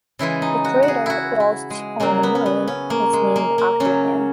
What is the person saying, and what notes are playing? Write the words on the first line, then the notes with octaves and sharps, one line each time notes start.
The crater Rost on the Moon is named after him.
C#3 E3 G#3 E4
D#4
F#4
F#4
G#4
E4 F#4
E4
G#3
C#3 F#3 A#3
B3
C#4
B3
C#4
A#3
G#3
A#3
A#3
C#3 F#3 C#4